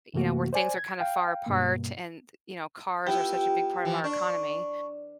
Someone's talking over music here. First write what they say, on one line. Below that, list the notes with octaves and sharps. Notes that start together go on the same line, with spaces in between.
you know, where things are kind of far apart and, th you know, cars are such a big part of our economy.
F#2 C3 E3 A3 A#3 F#4
C5 D5 G#5
G#6
F5 G5
G2 B2 A#3
B3 E4 F4 G4 G5
E3 F3
D4 C#6